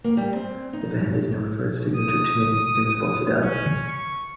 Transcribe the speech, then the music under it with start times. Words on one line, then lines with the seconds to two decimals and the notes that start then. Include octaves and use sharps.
The band is known for its signature tune "Invincible Fidelity".
0.04 A#3
0.17 G3
0.36 C4
0.73 D#4
1.95 D#6
3.42 C#4
3.87 C#6